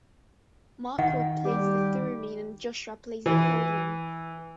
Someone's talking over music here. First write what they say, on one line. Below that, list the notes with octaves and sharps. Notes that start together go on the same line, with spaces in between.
Michael plays the theremin and Joshua plays the accordion.
D#3 F#5
G3 G4
E3